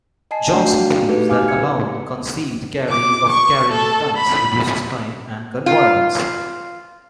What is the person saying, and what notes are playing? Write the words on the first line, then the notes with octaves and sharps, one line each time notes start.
Johnson believes that allowing concealed carrying of guns reduces crime and gun violence.
D#5 G#5 A5 C7
A3 D4 F#4 D5 G5
F#4 F5 G5
A3 D#4 F#4 G4 A4 B4
G4 F5 G#5 D6 F6
F5 G#6 C#7
D6
C#6
A4
B5
F4